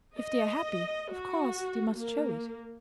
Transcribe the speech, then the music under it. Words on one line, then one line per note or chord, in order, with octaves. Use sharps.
If they are happy, of course they must show it.
D#5
F#4
A#3